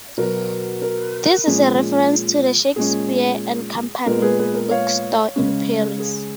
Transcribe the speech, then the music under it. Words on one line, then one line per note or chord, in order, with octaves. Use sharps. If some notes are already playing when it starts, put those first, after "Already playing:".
This is a reference to the "Shakespeare and Company" bookstore, in Paris.
B2 F#3 B3 A#4
A#4
A#2 F3 G#3 C#4 G#4
A#2 G#3 C#4 G#4
A#2 G#3 B3 A#4
G#4 B4
G#4 B4
A#4
C#5 F5
C#3 G#3 C#4
G#4